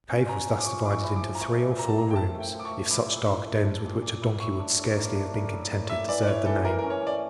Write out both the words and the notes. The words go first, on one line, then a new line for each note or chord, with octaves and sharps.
The cave was thus divided into three or four rooms, if such dark dens with which a donkey would scarcely have been contented deserved the name.
C#4
C#4 A#5
F3
D6
F3 C#6
E4 D6
C#6
E4
D6
F3
A#5
A3 C#6
A#2
A#2 A#5
A5
A#2 A#5
G5
A3 A5
A3
G5
F3
D6
C#6
A3
E4 D6
A#2
E4
A3
A3
A#2
A#2
E4
A2 C#6
D4
A2
A#3
D4
A#3
A2
A#3
A3 E5
E3 D5
D5
E3 C#5
E3 A4
E3 A#4
C#4 A#4
C#5
A3 D5